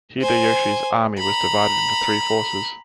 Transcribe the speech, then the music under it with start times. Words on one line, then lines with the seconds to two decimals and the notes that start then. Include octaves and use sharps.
Hideyoshi's army was divided into three forces.
0.21 C5 G#5
1.18 A#5 B5